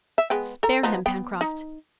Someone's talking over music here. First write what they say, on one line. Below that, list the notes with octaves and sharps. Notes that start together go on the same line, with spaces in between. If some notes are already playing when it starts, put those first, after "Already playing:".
"Spare him, Pencroft."
E5
G#3 B3 G5
A4 A#5
F3 B3 D#4
B3 G5
D#4